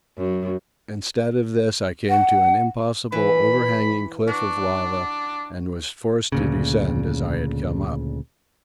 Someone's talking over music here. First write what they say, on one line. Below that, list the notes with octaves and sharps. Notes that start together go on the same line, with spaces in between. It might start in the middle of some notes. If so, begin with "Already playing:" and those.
Instead of this I came to an impossible overhanging cliff of lava, and was forced to descend as I had come up.
F#2
F#5
E3 B5
D4 F#4
D2 A#2 C#3